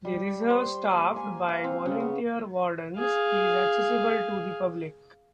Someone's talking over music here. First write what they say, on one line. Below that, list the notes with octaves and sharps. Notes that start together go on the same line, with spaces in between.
The reserve, staffed by volunteer wardens, is accessible to the public.
G3
C5
A#3
G#5
F5
C4
C#3
B3
G#4 F5